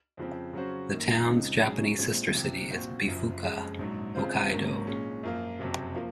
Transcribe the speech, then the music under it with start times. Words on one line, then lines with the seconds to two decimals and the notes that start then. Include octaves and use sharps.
The town's Japanese sister city is Bifuka, Hokkaido.
0.17 F2 C#3 F3 C4
0.53 C#3 F#3 C#4 F#4 C5
0.89 F#2 D#3 A#3
1.26 C#2 C#3 F3 C4 D#4
1.62 G#2 F#3 C#4 G#4
1.98 A#1 A#2 F3 G#3 C4
2.34 C2 C3 F3 C4
2.70 A#2 F3 C4 F#4 C5
3.07 F#1 F#2 F3
3.43 F#1 F2 C#3 G#3
3.79 A#1 G#2 F#3
4.15 C#3 G#3 C4 F4 C5
4.51 G#1 G#2 F#3 A#3 C#4
4.87 A#2 G#3 C#4
5.23 F#2 F3 A#3 F4
5.59 F#1 F2 C3 F#3
5.96 F3 A#3 F4